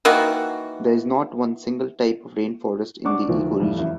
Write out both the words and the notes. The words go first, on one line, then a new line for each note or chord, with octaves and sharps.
There is not one single type of rainforest in the ecoregion.
D#3 E3 A#3 F#4
D4 F#5 C#6 D6
D2 D#3 F3
F2 A2 G3
E2